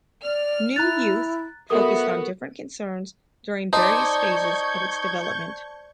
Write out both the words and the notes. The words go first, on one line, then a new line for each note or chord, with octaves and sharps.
"New Youth" focused on different concerns during various phases of its development.
D5 F6
E4 A#5 F#6 A6
B3 F#4 A4 A#4 E5 D#6
D#4 C5 D5 A5 C#6 G6 G#6